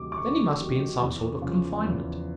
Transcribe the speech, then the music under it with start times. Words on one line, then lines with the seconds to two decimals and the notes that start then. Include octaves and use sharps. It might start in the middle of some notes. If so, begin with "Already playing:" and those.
Then he must be in some sort of confinement.
Already playing: D2 C3 D#3 F#3 D6
0.12 D6
0.17 D2 C#6
0.59 C3 D#3 F#3
1.00 E2
1.42 C#3 F3
1.83 E2